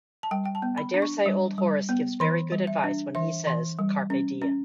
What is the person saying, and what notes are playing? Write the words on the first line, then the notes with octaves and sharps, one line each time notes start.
I daresay old Horace gives very good advice when he says, carpe diem.
A5
G3 G5
G5
A5
B3
B5
D4
C#6
G3
G3
B3
E3 B5
G3
E5
D4
E3 E5
E3
G3
C#4
C#4